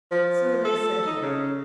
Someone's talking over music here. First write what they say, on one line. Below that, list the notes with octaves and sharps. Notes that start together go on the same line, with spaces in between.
So they set off.
F3
A4
D#4
C#3